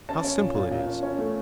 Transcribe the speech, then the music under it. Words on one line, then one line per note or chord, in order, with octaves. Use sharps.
How simple it is.
C#4 A5
C#4
A#2
A#2
A#2
C#4
C#4
A3